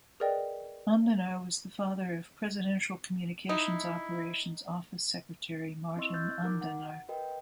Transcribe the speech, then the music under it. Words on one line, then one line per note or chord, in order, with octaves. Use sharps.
Andanar was the father of Presidential Communications Operations Office Secretary Martin Andanar.
G#4 A#4 B4 D5 D#5 G5
D#4 E4
C4 E4 D#5 C6 C#6 E6
E6 F#6 G6 A6
D#4 F#4 A#4 A#5 D6
F#5
F#4 A#4 B4 D#5 G5